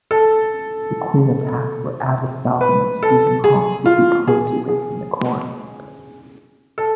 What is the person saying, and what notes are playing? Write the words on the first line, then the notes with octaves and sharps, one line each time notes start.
The Quinnipiac were avid falconers, using hawks to keep crows away from the corn.
A4
B4
A4
G#4
F4
G#4
G#4
A4